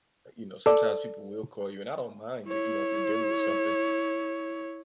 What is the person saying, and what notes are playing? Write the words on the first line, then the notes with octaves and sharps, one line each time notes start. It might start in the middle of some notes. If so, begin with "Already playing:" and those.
You know, sometimes people will call you and I don't mind that, you know, if you're dealing with something,
A4 D5
E4 C#5